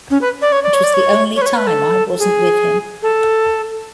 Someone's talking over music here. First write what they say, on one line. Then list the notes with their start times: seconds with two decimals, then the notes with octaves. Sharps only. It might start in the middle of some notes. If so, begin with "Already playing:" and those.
It was the only time I wasn't with him.
0.11 C#4
0.21 B4
0.42 D5
0.52 C#5
0.63 D5
0.74 C#5
0.84 D5
0.94 C#5
1.36 C#5
1.42 B4
1.46 C#5
1.57 B4
1.67 A4
2.19 G#4
3.03 A4